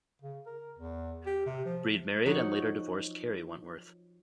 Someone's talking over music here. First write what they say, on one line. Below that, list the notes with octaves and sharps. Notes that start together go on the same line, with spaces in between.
Breed married and later divorced Carrie Wentworth.
C#3
A#4
E2
G4
C3
F3
F3 F#3 D#4 C#5 F#5